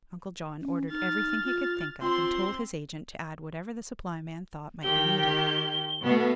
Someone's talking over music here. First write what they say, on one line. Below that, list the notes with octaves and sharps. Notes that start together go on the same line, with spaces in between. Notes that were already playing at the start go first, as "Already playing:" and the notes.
Uncle John ordered everything he could think of and told his agent to add whatever the supply man thought might be needed.
C#4
D#4 F6 A6
F4
C4 F4 C6
D#3 G4 G7
B2 A3 B3